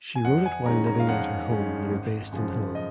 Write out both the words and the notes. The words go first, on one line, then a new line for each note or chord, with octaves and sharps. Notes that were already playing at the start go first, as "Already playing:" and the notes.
She wrote it while living at her home near Bayston Hill.
G#5
F2 F#5
G#5
D#3 G#3 C#4 A#5
A#5
F5
F2 F#5
D#3 G#3 C#4
G#1
F#2 C#3 F3
D#5